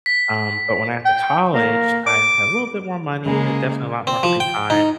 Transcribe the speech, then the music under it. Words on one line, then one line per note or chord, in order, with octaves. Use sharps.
Um, but when I got to college, I had a little bit more money, definitely a lot more free time,
B6
G5
A#3
D6
C#3 G#3 A#3
C4
F3
G5
D#4